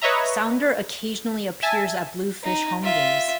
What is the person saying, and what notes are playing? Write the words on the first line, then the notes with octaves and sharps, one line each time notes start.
Sounder occasionally appears at Bluefish home games.
B4 C#5 D#5 E5 A#5
E5 G#5 A5
D#4
F4 E5